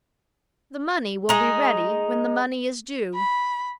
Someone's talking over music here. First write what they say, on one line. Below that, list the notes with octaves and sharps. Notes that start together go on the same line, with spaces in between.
The money will be ready when the money is due.
G#3 D#4
B5